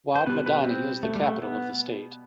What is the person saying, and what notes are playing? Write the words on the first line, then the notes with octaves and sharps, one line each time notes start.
Wad Madani is the capital of the state.
C5
B2 G3 B3 B4
B4
C4
A3
G3
A3
B3